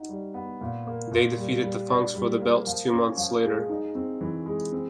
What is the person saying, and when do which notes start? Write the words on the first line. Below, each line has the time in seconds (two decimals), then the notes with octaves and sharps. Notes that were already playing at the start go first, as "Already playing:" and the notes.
They defeated the Funks for the belts two months later.
Already playing: D#4 F#4
0.09 G3
0.34 B3
0.61 A#2
0.87 A#3
1.11 A#2
1.37 G3
1.63 G3
1.89 D4
2.14 G3
2.41 A#3
2.67 F3
2.92 C#4
3.17 F3
3.44 G#3
3.69 D#4
3.95 C4
4.21 E3
4.46 G#3
4.72 C4